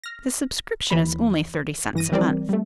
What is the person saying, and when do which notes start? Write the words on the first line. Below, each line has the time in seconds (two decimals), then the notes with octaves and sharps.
"The subscription is only thirty cents a month."
0.04 F6 A#6
0.91 D#2 E3 B5
1.94 G1 E3 A#6 D#7
2.12 E3 G3 C4 A#4 D5
2.49 G3 A3